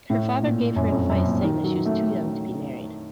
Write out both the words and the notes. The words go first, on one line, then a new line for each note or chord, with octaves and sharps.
Her father gave her advice saying that she was too young to be married.
A2
A#2
F#2
F2
F#2
A#2
D#3
F#3
A3